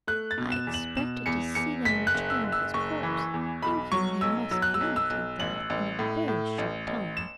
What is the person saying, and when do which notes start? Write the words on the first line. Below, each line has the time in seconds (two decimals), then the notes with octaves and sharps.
I expected to see them return with his corpse, thinking he must bleed to death in a very short time.
0.07 A3 F#6
0.31 A6
0.38 B2
0.52 E7
0.67 E2
0.74 F#7
0.97 B2 E7
1.26 E2 C#7
1.55 E2 C#7
1.85 F#1 B6
2.07 F#6
2.14 F#1
2.30 E6
2.44 F#1
2.52 E6
2.74 F#1 C#6
3.03 E3
3.34 E2
3.62 B1 B5
3.92 F#3 C#6
4.21 B1 E6
4.51 F#3 E6
4.62 F#6
4.74 E6
4.81 B1
4.96 E6
5.10 B1
5.40 A1 F#7
5.70 A1
5.99 A2
6.28 A2
6.58 A1
6.87 A1
7.17 E7